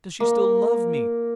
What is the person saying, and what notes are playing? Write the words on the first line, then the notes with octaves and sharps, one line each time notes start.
Does she still love me?
A#3